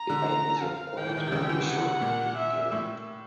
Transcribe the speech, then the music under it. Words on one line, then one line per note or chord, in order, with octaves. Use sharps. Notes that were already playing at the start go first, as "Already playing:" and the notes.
The ideas were quite unusual, to begin with.
Already playing: A#5
D3
F5
D#3 G5
E3
D#3
C3
C#3
D3
E3
C#3
C3 F#5
A#2
E5
A2